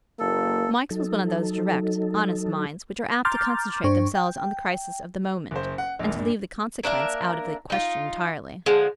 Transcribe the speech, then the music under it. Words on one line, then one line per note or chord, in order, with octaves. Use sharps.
Mike's was one of those direct, honest minds which are apt to concentrate themselves on the crisis of the moment, and to leave the consequences out of the question entirely.
F#1 A#3 A4
F#3 D#4 A4
A#5 C6 D6 F6 G6 A6
G2 D4 C5 C#6
G5
F#1 C5
F#5
A#1 D#2
G2 A#2
A#3 D4 A#4 E5
D#4 F4
D3 F3 G#3